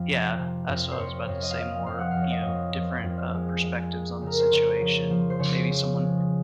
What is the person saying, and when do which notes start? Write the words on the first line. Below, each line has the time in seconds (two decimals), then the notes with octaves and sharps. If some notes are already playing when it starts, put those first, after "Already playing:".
Yeah, that's what I was about to say more you know, different, uh, perspectives on the situation. Maybe someone
Already playing: F2 F3
0.09 C3
0.39 C3
0.68 F2
0.91 C5
0.98 F2 C#5
1.28 F2
1.42 D#5
1.51 F5
1.57 F3 D#5
1.86 F2 F5
1.99 F#5
2.11 F2 F5
2.22 C#5
2.30 D#5
2.45 F2
2.75 F2
3.04 F2
3.34 G#3
3.63 G#3
3.93 G#3
4.22 C#3
4.27 A#4
4.39 C5
4.52 C#3 C#5
4.81 F3
5.10 F3
5.30 C5
5.39 C#3 C#5
5.70 F3
5.99 G#3